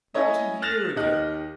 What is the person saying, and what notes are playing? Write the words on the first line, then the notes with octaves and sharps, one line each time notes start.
"About a year ago."
C#4 E4 C#5 D#5
F6 F#6 A6 A#6 E7 F7
D#2 G4 D#5 F#6